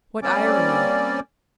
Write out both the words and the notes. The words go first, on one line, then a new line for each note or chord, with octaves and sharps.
What irony!
G3 A#3 C4 C#4 D5